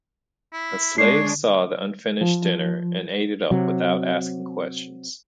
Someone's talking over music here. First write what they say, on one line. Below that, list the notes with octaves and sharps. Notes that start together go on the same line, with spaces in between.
A slave saw the unfinished dinner and ate it up without asking questions.
E4
G#3 D4 C#5 C7
F3
C3 F#3